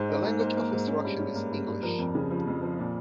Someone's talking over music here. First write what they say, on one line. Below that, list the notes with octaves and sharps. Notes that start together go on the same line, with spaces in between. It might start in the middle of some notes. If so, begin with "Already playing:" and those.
The language of instruction is English.
Already playing: G#2 C5
D#4
G#2
A#3 C5
A#3
G#2
C#4
G2
C#4
A#3
G2
G2
F3 A#4
F2
C#3
F3
F2
F3
A#2